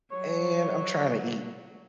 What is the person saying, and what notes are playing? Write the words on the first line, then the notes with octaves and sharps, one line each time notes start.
"Man, I'm tryna eat
F#3 C#5